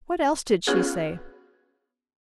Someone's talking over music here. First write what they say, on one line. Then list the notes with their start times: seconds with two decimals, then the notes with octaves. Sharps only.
"What else did she say?"
0.67 B3 C#4 F4 F#4 G#4